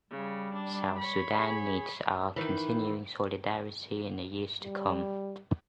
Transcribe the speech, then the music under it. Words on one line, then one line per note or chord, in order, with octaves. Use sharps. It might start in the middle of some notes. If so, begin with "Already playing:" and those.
South Sudan needs our continuing solidarity in the years to come.
C#3 G3
D4
C#5 B5
G#4
D#3 E3
G3